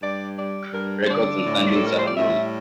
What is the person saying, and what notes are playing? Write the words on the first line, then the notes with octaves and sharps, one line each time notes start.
Records and standings are unknown.
G2 D5
G3 D5
G2 A#4
C5
D3 D5
A2
A4
G3 A#4
C5
D5
A2 E5